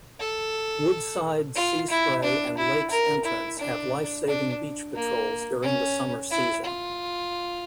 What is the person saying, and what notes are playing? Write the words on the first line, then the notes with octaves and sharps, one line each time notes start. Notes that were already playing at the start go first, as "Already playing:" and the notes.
Woodside, Seaspray and Lakes Entrance have life saving beach patrols during the summer season.
A4
F4
E4
D4
E4
A#4
E4
D4
D4
A#3
C#4
E4
F4